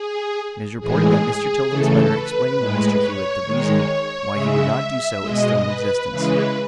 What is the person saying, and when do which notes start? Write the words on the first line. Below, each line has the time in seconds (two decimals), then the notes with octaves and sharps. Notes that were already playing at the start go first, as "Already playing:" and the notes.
It is reported that Mr. Tilden's letter explaining to Mr. Hewitt the reason why he would not do so is still in existence.
Already playing: G#4
0.80 A2 E3 G#3 G#4
1.68 C#3 E3 A3 A4
2.13 B4
2.56 A2 G#3
3.01 C#5
3.45 D#3 G#3
4.33 C#3 G#3 E5
5.21 B2 G#3 D#5
5.65 B4
6.10 C#3 E3 G#3 B4